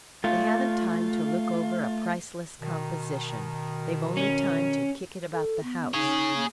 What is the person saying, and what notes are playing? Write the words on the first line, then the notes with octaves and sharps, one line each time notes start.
They haven't time to look over a priceless composition; they've only time to kick it about the house.
A3 F4
B2 D#3
C#4
A4
B3
D#4 G#4 C#5
A#3